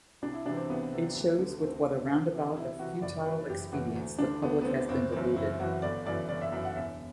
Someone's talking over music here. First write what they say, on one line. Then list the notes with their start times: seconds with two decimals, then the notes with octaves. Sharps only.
It shows with what a roundabout of futile expedients the public has been deluded.
0.22 C2 D4
0.34 E4
0.46 C3 D4
0.49 E3
0.57 C4
0.69 C2 B3
0.93 C3 E3
1.15 D2
1.39 D3
1.62 D2 C4
1.86 D3
2.09 C2
2.32 C3 E3
2.56 C2 E4
2.79 C3 E3 F#4
3.02 F#1 D5
3.26 F#2 E3 B4
3.49 F#1 G4
3.72 F#2 E3 F#4
3.95 D2
4.18 D3 D4
4.42 D2 B3
4.61 B3
4.65 D3 C4
4.89 F#1 C4
5.12 F#2 E3 C4
5.36 F#1 E4
5.60 F#2 E3 F#4
5.82 G1 D5
6.06 F#2 E3 D5
6.29 G1 D5
6.41 E5
6.52 F#2 E3 E5
6.65 F#5
6.76 E1 E5